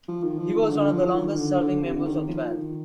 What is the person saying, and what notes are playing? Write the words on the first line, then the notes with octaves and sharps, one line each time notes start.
He was one of the longest serving members of the band.
F3
D#3
F3
D#3
D3
F3
D#3
D3
D3
C3
D3
D#3
F3
D#3